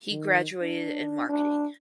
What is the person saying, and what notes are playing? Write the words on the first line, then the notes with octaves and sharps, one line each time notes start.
He graduated in marketing.
D#3
D4
D4